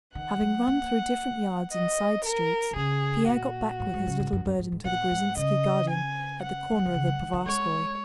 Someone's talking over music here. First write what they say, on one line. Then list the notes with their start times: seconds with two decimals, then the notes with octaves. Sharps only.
Having run through different yards and side streets, Pierre got back with his little burden to the Gruzinski garden at the corner of the Povarskoy.
0.15 D#3 F#5
0.41 F#3
0.68 A#3
1.72 D#5
2.24 A#4
2.71 A#2
2.76 C#3 G#4
3.28 A#2 F#4
3.80 G#2
3.94 G#2
4.07 C#3
4.20 G#2
4.33 F#2
4.45 F#2
4.59 G#2
4.72 G#2
4.85 A#2 F#5
5.11 G#2
5.37 C#3 D#5
5.89 G#5
6.42 F#5
6.72 G#3
6.79 F#3
6.86 D#3
6.94 C#3
7.07 F#3
7.20 G#3
7.33 D#3
7.46 G#3 C#5